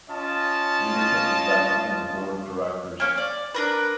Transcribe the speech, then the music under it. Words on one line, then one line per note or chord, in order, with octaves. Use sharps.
Leadership is vested in a board of directors.
C#4 F4 D#5 A5
A#3 C#4
D5
D4 A#4 B4